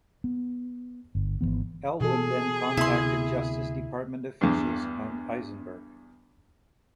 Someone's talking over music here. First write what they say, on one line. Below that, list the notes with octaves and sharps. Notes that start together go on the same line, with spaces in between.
Elwood then contacted Justice Department officials and Eisenberg.
B3
G1
G#1 F2 E3 B3
B2 E3 G#4 A4
D2 C3 B3 E4 C6
E2 G2